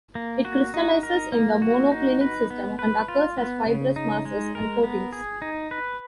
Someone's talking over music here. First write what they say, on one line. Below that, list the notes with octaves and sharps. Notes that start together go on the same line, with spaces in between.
It crystallizes in the monoclinic system and occurs as fibrous masses and coatings.
A#3
F#4
D#4
A#4
A#3
F#4
D#4
B4
B3
B4
F4
B3
C#3
D#4
G#3
A#4
B3
G#4
D#4
B4